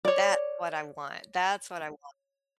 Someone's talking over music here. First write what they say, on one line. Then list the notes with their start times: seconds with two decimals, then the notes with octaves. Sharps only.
That's what I want, that's what I want,
0.05 C#5 D5